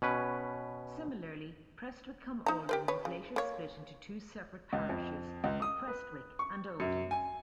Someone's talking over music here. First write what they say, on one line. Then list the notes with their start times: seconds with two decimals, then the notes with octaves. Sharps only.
Similarly, Prestwich-cum-Oldham was later split into two separate parishes of Prestwich and Oldham.
0.02 B2 C#4 B4
2.46 D#4 A#5
2.69 G4 A#4 C5
2.88 B4 C#5
3.05 C#3
3.36 A#3 C#5
4.73 C#2
4.90 F2
5.44 C#2
5.62 D#6
5.88 B4
6.39 C#6
6.80 F#2
7.11 G#5